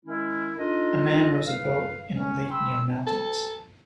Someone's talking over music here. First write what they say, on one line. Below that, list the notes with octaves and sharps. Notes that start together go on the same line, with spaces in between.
A man rows a boat in a lake near mountains.
D#3 G#3 C#4 E4
D4 D#4 F4 A4 D#5
B4 F5
C#4
G5 B5 C6 E6
A4